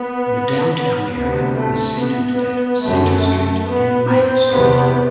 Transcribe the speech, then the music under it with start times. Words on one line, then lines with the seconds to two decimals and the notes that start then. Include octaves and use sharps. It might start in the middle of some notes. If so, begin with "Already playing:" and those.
The downtown area is centred at Centre Street and Main Street.
Already playing: B3
1.14 D2 C3 B3
1.56 A3
1.99 B3
2.40 B3
2.82 F#2 A3
3.66 B3
4.08 C4
4.50 E2 C3 B3